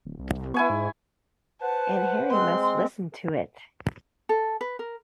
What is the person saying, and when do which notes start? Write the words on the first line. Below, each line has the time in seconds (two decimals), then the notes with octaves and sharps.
And Harry must listen to it.
0.05 D1
0.19 C2
0.54 B3 E4 G#5 C#6
0.70 G#2
1.62 B4 C5 F#5 A5
2.31 G#3 C4 C6
4.29 A4
4.61 B4
4.79 A#4